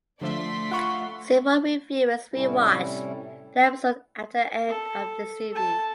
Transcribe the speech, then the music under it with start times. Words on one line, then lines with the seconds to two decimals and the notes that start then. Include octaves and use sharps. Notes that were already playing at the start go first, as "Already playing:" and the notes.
Several reviewers re-watched the episode after the end of the series.
0.21 D3 F3 A3 D5 E5 C6 B6
0.71 F4 E5 F#5 B5 C#6
2.34 A2 C3 G3 C#4 E4
4.69 A4
5.53 A4 A5